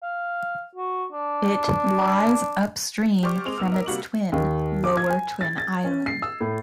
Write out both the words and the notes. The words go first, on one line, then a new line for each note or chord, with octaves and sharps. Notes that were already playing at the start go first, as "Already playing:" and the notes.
It lies upstream from its twin, Lower Twin Island.
F5
F#4
D4
G4 C5 D5 C#6 D6 F6
G#3 C4 F7
G#2 B3 E6 F6
A#4 D#5
C3 G3 A#3 F#4 C#6 F#7
D#2
D6
G#6
G#5
A6
A6
C#4
C7
E6
A2